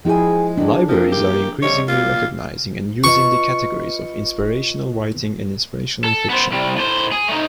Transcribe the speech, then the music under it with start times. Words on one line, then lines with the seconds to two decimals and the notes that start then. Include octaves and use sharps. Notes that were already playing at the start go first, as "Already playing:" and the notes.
Libraries are increasingly recognizing and using the categories of inspirational writing and inspirational fiction.
0.05 F3 G#3 E4 G#4 G5 G#5
0.57 D#3 E3 D4
0.88 C3 F3 A#3 A#4
1.12 G4
1.62 G#2 C3 G3 C#5
1.88 G3 A#3 F4
3.04 F4 B4 D#5 C#6
6.04 A4
6.30 B3 C5
6.52 C2 G3
6.76 A2 C5
7.12 G#4
7.28 A3 D#4